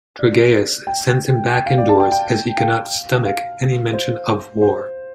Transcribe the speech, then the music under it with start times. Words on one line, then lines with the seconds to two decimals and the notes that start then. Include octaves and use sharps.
Trygaeus sends him back indoors as he cannot stomach any mention of war.
0.19 D5
0.87 G5
1.55 G5
1.66 F5
1.78 D5
1.89 A5
2.00 G5
2.12 G5
2.57 F5
3.25 F5
3.93 C5
4.61 C5